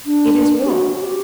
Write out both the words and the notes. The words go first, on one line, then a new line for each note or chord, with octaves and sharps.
It is warmth.
D4
G4
F#4
F#4
G4